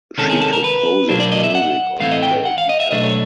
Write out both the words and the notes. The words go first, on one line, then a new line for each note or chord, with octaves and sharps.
She composes music on the guitar.
C3 D#3 G#3 C#4 A4
G#4
A4
A#4
B4
B1 A#2 F#3 A#3 D4 C5
D5
D#5
E5
F#5
A2 E3 A3 C4 E4 F5
D#5
G5
F#5
F5
D#5
E5
B2 F#3 A3 D4 D#5
C#5